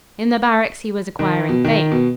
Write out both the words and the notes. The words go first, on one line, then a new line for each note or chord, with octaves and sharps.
In the barracks he was acquiring fame.
D#3
B2
D#3
B2